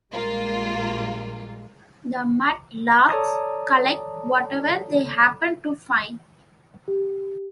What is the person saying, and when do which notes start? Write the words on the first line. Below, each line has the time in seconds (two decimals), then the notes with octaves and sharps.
The mud-larks collect whatever they happen to find.
0.12 A#1 G3 G#3 A#3 F4
3.10 A4 C#5 D5 A5 A#5 D#6
6.88 G4